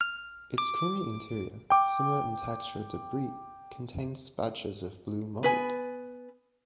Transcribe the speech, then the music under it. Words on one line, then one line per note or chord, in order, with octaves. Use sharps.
Its creamy interior, similar in texture to Brie, contains patches of blue mold.
F6
D6
G5 D6
B3 B4 G#5